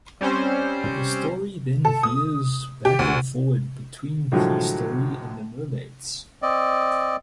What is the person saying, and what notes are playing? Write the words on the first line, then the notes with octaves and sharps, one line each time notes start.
The story then veers back and forward between his story and the mermaid's.
G3 C4 C#4 C5
A4
D#6
G4
D2
A2 D3 F3 F#3 G#3
C4 D5 D#5